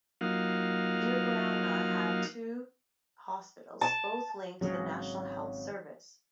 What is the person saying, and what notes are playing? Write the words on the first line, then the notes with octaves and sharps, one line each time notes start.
Uruguaiana had two hospitals, both linked to the national health service.
F#3 A#3 D#4 F4 F5 F#5
A5
G#1 D#2 C#3 F#3